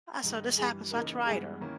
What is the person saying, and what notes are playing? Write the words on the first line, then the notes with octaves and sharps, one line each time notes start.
I so this happened, so I tried her.
G2 D#3 G#3 D#4
G2 E3 G3 G#4
C#3 E3 A#3 D#4 A#4
G2 E3 G#3 B3 G#4
D#3 A#3 C#4 E4